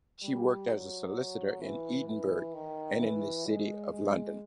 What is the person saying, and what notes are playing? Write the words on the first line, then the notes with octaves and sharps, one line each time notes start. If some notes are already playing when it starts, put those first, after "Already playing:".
She worked as a solicitor in Edinburgh and the City of London.
G3
F#3
E3
E3
D#3
E3
G#3
G#3